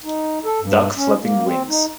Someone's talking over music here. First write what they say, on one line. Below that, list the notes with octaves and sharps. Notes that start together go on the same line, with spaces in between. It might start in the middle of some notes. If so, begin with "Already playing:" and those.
Duck flapping wings.
D#4
A4
G2
C#4
A#3
C4
D#4